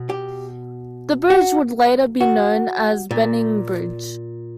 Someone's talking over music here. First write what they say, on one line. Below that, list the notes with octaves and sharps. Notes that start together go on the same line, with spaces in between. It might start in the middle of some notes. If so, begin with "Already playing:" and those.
The bridge would later be known as Benning Bridge.
Already playing: B2
G4
F#4
F#4
A#2